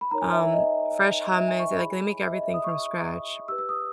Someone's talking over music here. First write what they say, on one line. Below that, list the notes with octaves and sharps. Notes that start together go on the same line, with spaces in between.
um, fresh hummus like, they make everything from scratch.
B5
D#4 A#4 C#5 A#5
G#5
E5
E5
D#5
E5
G#5
C#6
E4 G#4 C#5 B5
G#5
E5
D#5
E5
D#6
C#6
G4 B4 E6
E6
D#6